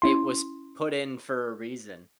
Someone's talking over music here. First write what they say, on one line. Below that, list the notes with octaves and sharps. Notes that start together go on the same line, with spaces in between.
it was put in for a reason.
C#4 E4 C6